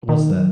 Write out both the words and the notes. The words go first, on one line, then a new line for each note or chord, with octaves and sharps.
What's that?
D#3
F#3